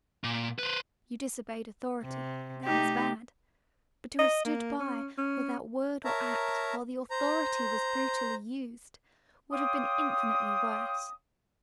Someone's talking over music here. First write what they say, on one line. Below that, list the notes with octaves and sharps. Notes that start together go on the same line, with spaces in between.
You disobeyed authority--that was bad; but to have stood by, without word or act, while the authority was brutally used, would have been infinitely worse.
A#2
B4 C5
C3
A3 D#4 G4
D#5
A#3
C#4
C#4
A#4 C#5 E5 A5 A#5
C5 A#5
C#5 F5 G5 C6 D6 D#6